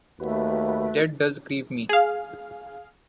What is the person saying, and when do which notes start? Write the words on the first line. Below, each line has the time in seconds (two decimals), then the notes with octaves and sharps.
That does grieve me.
0.20 D#2 A3 F#4 B4
1.89 G#4 F5